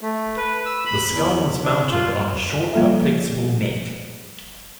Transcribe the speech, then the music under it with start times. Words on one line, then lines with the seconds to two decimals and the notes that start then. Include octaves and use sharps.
The skull was mounted on a short but flexible neck.
0.01 A3
0.37 B4
0.66 E6
0.86 B5
1.12 E2
1.63 D4
1.91 F4
2.73 F3 G3 A#3 F4 A4 E5